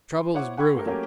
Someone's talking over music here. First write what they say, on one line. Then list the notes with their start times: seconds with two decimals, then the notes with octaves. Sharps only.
Trouble is brewing.
0.17 C6
0.34 E4 C5 C#5 F#5 C#6 D6
0.57 F#5 G5 B5 C#6 G#6
0.75 A3 G4 A#4
0.86 F#3 A3 A#3 C#4 G4 A#4